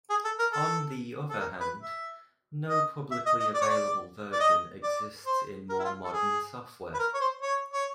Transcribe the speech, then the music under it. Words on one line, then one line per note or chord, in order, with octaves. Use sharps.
On the other hand, no publicly available version exists in more modern software.
G#4
A4
A#4
A4
A4
A#4
B4
E5
D#5
E5
D#5
D#5
D5
C#5
D5
D5
D#5
D5
C5
A#4
E4
F4
A4
G#4
B4
A#4
C#5
C5
C#5
C#5